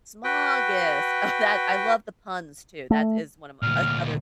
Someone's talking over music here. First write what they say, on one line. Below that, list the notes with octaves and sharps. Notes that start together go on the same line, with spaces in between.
Smaugust. Oh, that I love the puns too, that is one of m another
F#4 B4 G5
A3
D2 A#2 F6